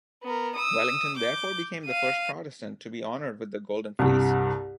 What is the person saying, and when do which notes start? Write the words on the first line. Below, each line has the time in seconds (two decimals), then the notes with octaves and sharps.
Wellington therefore became the first Protestant to be honoured with the Golden Fleece.
0.23 B3 A#4
0.56 D#6 E6
1.17 D6 G6
1.86 F5 D#7
3.99 C2 G2